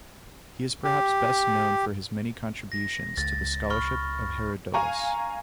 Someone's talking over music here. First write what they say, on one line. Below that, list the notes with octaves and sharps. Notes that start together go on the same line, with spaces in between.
He is perhaps best known for his many contributions to the scholarship of Herodotus.
G4
A#6
C#2 A6
B5 C#6 F6
F5 G#5 A#5 C#6